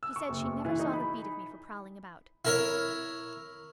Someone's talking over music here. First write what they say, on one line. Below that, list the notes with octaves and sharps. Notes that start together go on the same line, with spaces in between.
She said she never saw the beat of me for prowling about.
E6
C#6
F#1
E3
D#4
B5
E4 A#4 C#5